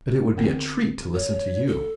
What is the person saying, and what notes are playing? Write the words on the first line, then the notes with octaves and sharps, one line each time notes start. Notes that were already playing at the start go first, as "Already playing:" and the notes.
But it would be a treat to listen to you.
D3 B3 C4
C#5
A4